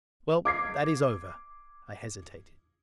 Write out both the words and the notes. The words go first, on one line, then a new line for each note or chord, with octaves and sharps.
"Well, that is over." I hesitated.
D6 G#6 C7